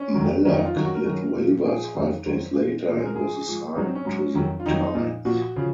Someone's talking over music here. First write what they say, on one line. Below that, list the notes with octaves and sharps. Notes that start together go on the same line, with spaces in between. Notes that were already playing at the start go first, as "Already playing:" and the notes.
Moeller cleared waivers five days later and was assigned to the Tides.
Already playing: C#4
F2 D#3 F#3
F2 D#3 F#3 C#4
D#4
F4
F#2 D#3 F#3 D#4
F#4
A#4
F#2 D#3 F#3
A#2 F3
A#2 F3 G#4
F2 D#3 F#3
F2 D#3 F#3 C5
A#2 F3
A#2 F3 A#4
C5
G#4
A#4
G#2 F3 G#4
G#2 F3
G#2 F#3 D#4
C4
C#4
G#2 F#3
F2 D#3 F#3
F4
F2 D#3 F#3 D#4
A#2 F3
A#2 F3 F#4
C#3 F3